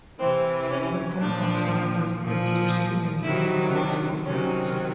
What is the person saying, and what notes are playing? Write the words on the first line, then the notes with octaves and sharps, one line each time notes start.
The park also operates the Pearson Air Museum on the fort grounds.
C3 E3 C4
C#4
A#2 F3 D4
A#2 F3
C3 D#3 F#3 E4
D4
C3 D#3 F#3 C#4